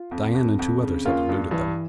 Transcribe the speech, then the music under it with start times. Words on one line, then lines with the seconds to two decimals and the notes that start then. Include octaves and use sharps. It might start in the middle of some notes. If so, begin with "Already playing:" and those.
Dian and two others had eluded them.
Already playing: F4
0.11 F2
0.35 F2
0.59 F2
0.82 C#3
1.05 A#3 C#4 F4
1.29 G2
1.51 G2 E3